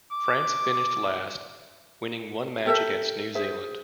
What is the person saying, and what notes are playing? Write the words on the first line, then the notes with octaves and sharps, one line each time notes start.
France finished last, winning one match against New Zealand.
D6
G4 A4 A#4 E5
G#4 C5 E5